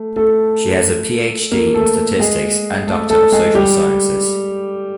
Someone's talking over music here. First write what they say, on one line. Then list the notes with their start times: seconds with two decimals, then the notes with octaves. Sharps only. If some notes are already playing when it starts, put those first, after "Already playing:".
She has a Ph.D in Statistics and Doctor of Social Sciences.
Already playing: A3
0.16 A3 A4
1.52 A#3 A#4
1.74 A3 A4
2.20 G#3 G#4
2.87 A3 A4
3.09 A3 A4
3.32 G#3 G#4
3.55 G3 G4